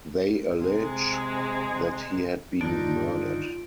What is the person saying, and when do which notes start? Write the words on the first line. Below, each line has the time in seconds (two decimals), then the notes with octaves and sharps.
They allege that he had been murdered.
0.62 C3 G#3 G#4
2.61 G2 D3 D#3 D4 D#4 F4 D7